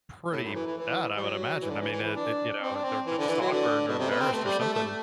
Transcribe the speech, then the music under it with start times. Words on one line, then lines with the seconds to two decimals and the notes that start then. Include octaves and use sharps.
pretty bad, I would imagine, I mean, it it, you know, they're they're just awkward, or embarrassed, or something.
0.32 A2
0.44 F#2
0.54 E3
0.66 E3
0.77 E3
1.17 G3
1.23 F#3
1.61 E3
1.69 D3
1.81 E3
1.92 E3
2.04 E3
2.16 D4
2.61 C4
2.75 D4
2.84 C4
3.07 E3
3.18 D3
3.29 E3
3.41 F#3
3.52 D3
3.88 B2
3.99 C3
4.10 B3
4.20 C4
4.33 A3
4.44 G3
4.60 A3
4.74 A3